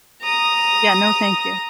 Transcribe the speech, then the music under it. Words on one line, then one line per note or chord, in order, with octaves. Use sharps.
Yeah, no, thank you.
A#5 D#6